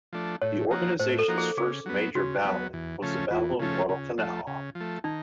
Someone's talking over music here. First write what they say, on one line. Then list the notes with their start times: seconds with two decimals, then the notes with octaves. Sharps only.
The organisation's first major battle was the Battle of Guadalcanal.
0.13 F3 A3 D4
0.42 A2 C#5
0.71 F3 A#3 D#4 F#4
1.00 A2 C5
1.19 A4
1.28 F3 A#3 D#4 F#4
1.38 G#4
1.57 C#3 G#4
1.86 F#3 B3
2.15 C#3 F#4
2.45 F#3 B3
2.73 E2
3.02 C#3 F3 A3 C#4
3.30 E2 F4
3.59 C#3 F3 A3 C#4
3.89 C#3
4.18 F3 A3
4.47 C#3
4.75 F3
4.80 A3
5.04 D#3 D#4